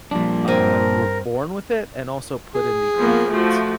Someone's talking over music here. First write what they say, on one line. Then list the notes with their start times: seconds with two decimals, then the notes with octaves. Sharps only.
uh, were born with it and also put in the effort.
0.11 A#2 F3 G3 D4
0.48 G2 C4 A#4 G#5
2.54 G#4
2.98 F3 A#3 B3
3.32 F3 A3 F#4